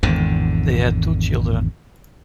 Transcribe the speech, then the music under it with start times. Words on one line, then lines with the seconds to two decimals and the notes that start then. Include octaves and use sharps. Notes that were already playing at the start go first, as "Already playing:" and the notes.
They have two children.
0.03 G#1 E2 D3